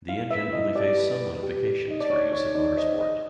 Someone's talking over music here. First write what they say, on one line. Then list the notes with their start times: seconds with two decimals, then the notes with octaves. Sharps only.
The engine only faced some modifications for use in motorsport.
0.09 E4 F5
0.31 B4 E5
0.53 E4 D#5
0.76 G4 D5
0.98 B4
1.21 B4
1.43 G4
1.65 G4
1.88 D#4 D#5
2.01 D5
2.10 D#4 C#5
2.32 D#4 C#5
2.55 D#4 D5
2.77 C5 D#5
3.00 G#4 D#5